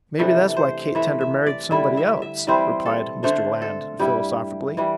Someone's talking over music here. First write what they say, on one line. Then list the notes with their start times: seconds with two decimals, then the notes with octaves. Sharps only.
"Maybe that's why Kate Tender married somebody else," replied Mr. Land philosophically.
0.19 C3 E3 A3 D4 A4
0.57 C5
0.95 E3 A3 E4 E5
1.21 E5
1.47 D5
1.71 D3 G3 E4 E5
1.97 E5
2.22 E5
2.47 E3 G3 C4 E4 C5
2.85 A4
3.23 D3 A3 D4 C5
3.62 A4
3.99 G2 G3 E4 G4
4.77 E3 G3